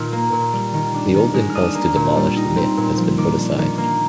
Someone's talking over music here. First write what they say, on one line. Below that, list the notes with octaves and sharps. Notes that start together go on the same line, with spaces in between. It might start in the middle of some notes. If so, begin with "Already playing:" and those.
The old impulse to demolish the myth has been put aside.
Already playing: A#2 D#3 D#4 F6
A#3
A#2
G3
D#3
D4
D#3
G#3
F6
D4 D#6
A#3
A#2
G3
D#4
C4
A#2
F3
D#3 D6
D4
D#3
A#3